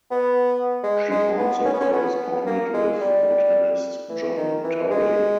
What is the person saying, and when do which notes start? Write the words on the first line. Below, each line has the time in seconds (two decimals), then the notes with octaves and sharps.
She also corresponded with botanist John Torrey.
0.11 B3
0.84 G#3
1.11 G#3
1.38 B3
1.65 C#4
1.74 B3
1.81 C#4
1.93 B3
2.47 A#3
2.74 G#3
3.01 G3
4.10 E3
4.37 D#3
4.64 E3
4.91 G#3